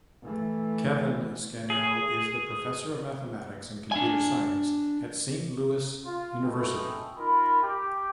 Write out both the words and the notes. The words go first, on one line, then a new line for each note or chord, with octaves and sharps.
Kevin Scannell is the professor of mathematics and computer science at Saint Louis University.
E3 A3
G#4
D4 G#5
F4
G#3 C#4 D#4 E4 A4 G5
D#4 F4 A#4 B5
G4 G5